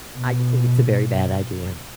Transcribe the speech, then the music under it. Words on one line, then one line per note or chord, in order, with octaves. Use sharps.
I just think it's a very bad idea.
B2